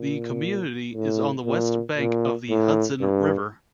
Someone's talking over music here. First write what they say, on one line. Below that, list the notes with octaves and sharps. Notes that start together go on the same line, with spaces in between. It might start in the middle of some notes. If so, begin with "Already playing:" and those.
The community is on the west bank of the Hudson River.
Already playing: A#2
A2
A#2
A#2
A2
G2